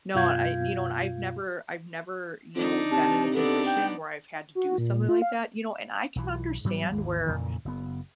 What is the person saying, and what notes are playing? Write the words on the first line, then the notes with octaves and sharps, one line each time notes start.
No, I you know, and I've never I've never, you know, been in a position where I've had to do something like that, you know, and I can understand where,
F#2 B2 F4 F5 G6 G#6
F2 D4 D#4
C3 A5
B3 D4 D#4 A4
G5
F#4
A#2
F4
F5
B1 E3
G#2 F#3 G3 B3
G#1 D#2 E3
F2 A#2 C#3 E3
F#1 B3